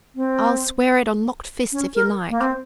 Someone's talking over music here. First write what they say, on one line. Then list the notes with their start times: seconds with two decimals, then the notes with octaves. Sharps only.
'I'll swear it on locked fists, if you like.
0.15 C4
1.72 C#4
1.95 A#4
2.30 A#3
2.41 C4